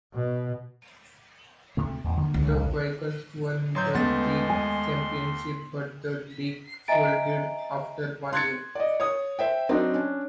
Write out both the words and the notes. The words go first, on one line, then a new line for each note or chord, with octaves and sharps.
The Quakers won the league championship but the league folded after one year.
B2
D2 C3 A3
A1 E2
D3 D#3 A#3
C#2
E1 A#1
A1 F#3 C6 G6
D#2 G#3 A3 B3 C6 A6
G#5
D#5 E5 G#5 A#5 A6 D7
C6 F#6 G#6 A6 C#7
D5 D#5
C#5 D#6
C5 E5 G5
F#3 C4 D4 D#4
C#4 D4